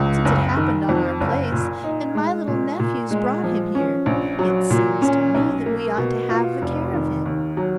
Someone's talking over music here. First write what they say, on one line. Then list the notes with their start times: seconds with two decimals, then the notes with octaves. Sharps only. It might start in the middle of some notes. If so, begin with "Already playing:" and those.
"Since it happened on our place, and my little nephews brought him here, it seems to me that we ought to have the care of him."
Already playing: C#2
0.25 F#1
0.57 D#3
0.89 F2
1.21 F#1
1.52 A#2
1.84 D#4
2.15 G#3
2.47 A#2
2.79 A#2
3.11 G#3
3.43 F3
3.75 C#4
4.06 A#1
4.39 F#3
4.70 A#2
5.02 C#4
5.35 B1
5.66 A#3
5.98 B2
6.29 F4
6.62 F1
6.93 D#3
7.26 D#2
7.57 F#3